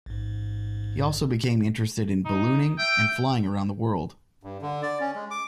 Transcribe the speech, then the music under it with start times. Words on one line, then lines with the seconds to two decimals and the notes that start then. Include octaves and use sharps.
He also became interested in ballooning, and flying around the world.
0.06 A1 G#2
2.25 D#4
2.78 E5 G5
4.43 G2
4.62 D3
4.83 D5
5.00 C#4
5.15 G#3
5.31 D6